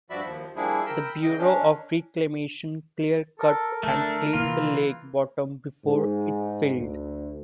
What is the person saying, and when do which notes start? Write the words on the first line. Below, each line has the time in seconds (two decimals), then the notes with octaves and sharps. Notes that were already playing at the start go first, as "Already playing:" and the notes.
The Bureau of Reclamation clear cut and cleaned the lake bottom before it filled.
0.10 G2 F3 F#4 D5 E5 B5
0.24 D#2 F3
0.56 F3 G3 A#3 D4 E4 G#4
0.86 A#4 G5 B5 E6
1.22 C#3 D#5 G5
1.39 C#4 D4
3.40 A4 A#4
3.83 D3 F#3 A3 D4 A4
4.33 C3 E3 A#3 F4
5.85 G#2
6.77 D2